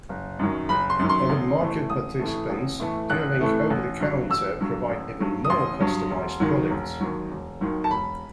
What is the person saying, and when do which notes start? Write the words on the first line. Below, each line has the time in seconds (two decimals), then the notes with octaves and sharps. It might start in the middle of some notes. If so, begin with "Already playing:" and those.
Other market participants dealing over the counter provide even more customized products.
0.09 F#1
0.39 F#2 D#3 F#3
0.69 F#1 B5
0.90 C6
0.99 F#2 D#3 F#3
1.09 C6
1.30 A1
1.60 A2 E3 A3
1.90 A1 D#6
2.20 A2 E3 A3
2.50 A1
2.80 A2 E3 A3
3.10 A1 F#6
3.40 A2 E3 A3
3.70 A1
4.00 G2 F#3
4.30 A1 E6
4.60 G2 F#3
4.89 A1
5.20 G2 F#3
5.45 D#6
5.50 A1 C6
5.80 G2 F#3
6.11 E1
6.40 D#2 D#3 F#3
6.71 E1
7.01 D#2 D#3 F#3
7.30 E1
7.61 D#2 D#3 F#3
7.84 A5
7.90 E1 B5